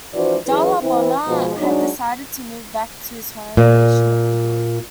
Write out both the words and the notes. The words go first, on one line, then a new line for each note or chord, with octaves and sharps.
Dalla Bona had decided to move back to his home nation of Italy.
E3 F3 D4 F#4 C5 D5
E3 F#3 C#4 E4 G#4 B4
E3 C4
B2 F3 G#3
F#3 G#3 D4 D#4
A#2